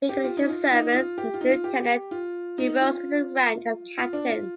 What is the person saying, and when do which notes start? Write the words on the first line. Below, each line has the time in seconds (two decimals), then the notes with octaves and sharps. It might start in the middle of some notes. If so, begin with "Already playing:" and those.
Beginning his service as a lieutenant, he rose to the rank of Captain.
0.09 G4
0.24 F4
0.37 D#4
0.49 F4
0.71 D#4
0.94 F4
1.18 G4
1.34 F4
1.41 D#4
1.49 F4
1.64 G4
2.11 F4
2.58 D#4
2.81 F4
3.98 F4
4.13 D4
4.29 F4